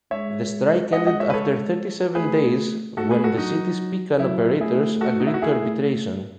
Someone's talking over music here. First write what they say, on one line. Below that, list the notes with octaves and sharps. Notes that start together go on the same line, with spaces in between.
The strike ended after thirty-seven days when the city's pecan operators agreed to arbitration.
G#3 C#5 E5
G#3 D#5 F#5
D#5 F#5
C#5 E5
B4
A4 C#5
A3 G#4 B4
A3 F#4 A4
G#4 B4
F#4 A4
F#3 D#4 F#4
F#3 E4
E4
A3 E4 G#4
F#4 A4
D#4
E4
F#4
A3 E4 G#4